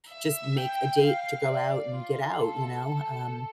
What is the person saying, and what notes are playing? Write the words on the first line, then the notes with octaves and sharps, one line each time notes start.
just make a date to go out and get out, you know? Um,
E5
G5
F5
D5
F4
A4
A4